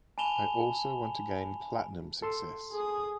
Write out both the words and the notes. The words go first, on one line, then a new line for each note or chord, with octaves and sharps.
I also want to gain platinum success.
G#5 A5 B5 E7 F7 G7
A4 C6 E6
G#4 D#6